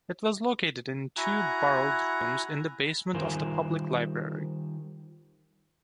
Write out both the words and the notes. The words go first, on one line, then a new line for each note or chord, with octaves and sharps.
It was located in two borrowed rooms in the basement of the public library.
E4 F#4 F#5 G#5 A#5
D#3 G3 F4 A#4 C5 G#5